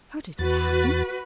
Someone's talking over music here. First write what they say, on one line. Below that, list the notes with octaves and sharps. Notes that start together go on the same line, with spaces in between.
How did it happen?
E2 F#4 B4 A6